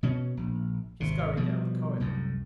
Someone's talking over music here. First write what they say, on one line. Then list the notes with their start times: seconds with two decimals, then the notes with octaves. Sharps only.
She scurried down the corridor.
0.03 B2 C#4
0.37 A#1
1.00 G#1 C3
1.37 B2 F3 G3
2.00 C2 F#2 A2